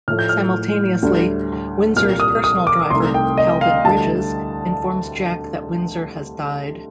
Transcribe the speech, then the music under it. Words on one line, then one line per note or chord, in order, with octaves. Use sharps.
Simultaneously, Windsor's personal driver, Calvin Bridges, informs Jack that Windsor has died.
A2 F3 A3 F6
G6
F6
D2 D3 G3
C2 A#2 G3 F6
D#6
D#6
D6
C2 C3 D#3 A3 C6
G5
D#5
F5
D2 D3 G3 A5